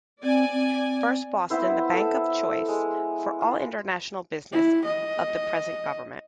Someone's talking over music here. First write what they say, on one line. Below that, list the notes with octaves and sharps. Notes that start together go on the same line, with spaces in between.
First Boston the bank of choice for all international business of the present government.
C4 D5 G#5
C4
B3 C4 E4 C5
A4
G#3
F4
E4
D#5